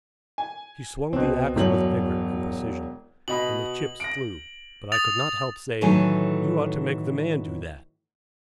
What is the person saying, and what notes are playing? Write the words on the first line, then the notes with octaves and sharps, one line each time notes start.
She swung the axe with vigor and precision, and the chips flew; but I could not help saying, "You ought to make the man do that."
G#5
C2 B2 C4
E1 G2 F#3 F#7
B2 D#5 B5 F#7
A#6 D7
D#6 A6 F7
A2 D#3 E3 F#3 A3 G#5